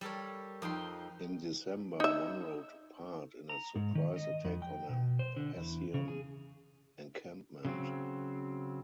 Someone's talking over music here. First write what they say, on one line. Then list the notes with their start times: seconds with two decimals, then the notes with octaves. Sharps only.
In December, Monroe took part in a surprise attack on a Hessian encampment.
0.01 G3 A4 A#4 C#5
0.62 F2 D#4 G5 C6
2.00 D#4 E5
3.49 A#5
3.76 G#2
3.95 D#3
4.16 D#5
4.45 F2
4.62 G5
4.89 B2
5.19 C5
5.36 D3
5.56 E2
5.94 C#3
6.08 G#4
7.65 C#3 F#3 C4